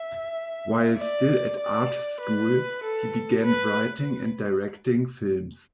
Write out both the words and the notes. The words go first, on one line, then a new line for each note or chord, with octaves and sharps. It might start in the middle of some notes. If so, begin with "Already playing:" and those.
While still at art school he began writing and directing films.
Already playing: E5
D5
D5
B4
A4
B4